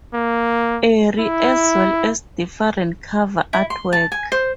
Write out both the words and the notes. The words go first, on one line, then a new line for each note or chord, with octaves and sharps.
Arie, as well as different cover artwork.
A#3
E4
E4
C6
A5
G#5
C5